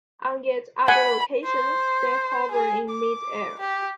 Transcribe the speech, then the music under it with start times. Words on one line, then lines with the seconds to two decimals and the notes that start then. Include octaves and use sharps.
On yet other occasions, they hover in mid-air.
0.88 F#5 G#5 B5
1.45 C5
2.51 G#4
2.90 D6
3.60 G4